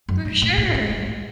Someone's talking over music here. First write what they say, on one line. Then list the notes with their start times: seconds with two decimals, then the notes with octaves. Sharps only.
For sure.
0.09 F#2
0.25 A2
0.42 A2
0.57 A2
0.74 A2